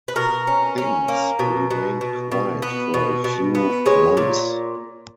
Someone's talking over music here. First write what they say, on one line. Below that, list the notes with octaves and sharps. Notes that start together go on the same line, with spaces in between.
Things remained quiet for a few months.
B4
B2 A#4
C#4
C#4
A#3
B2
B2
B2
B2
B3
B2
B2
B3
G#3 C#5
A#2